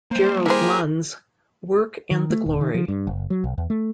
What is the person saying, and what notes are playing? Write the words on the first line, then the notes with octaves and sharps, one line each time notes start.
Gerald Lund's "Work and the Glory".
G3 A#3 C5
E4 G4 G#4 A#4 C5
D#3
A3
D#1
D#3
F3
G2
F#1
F#3
B1
E2
A3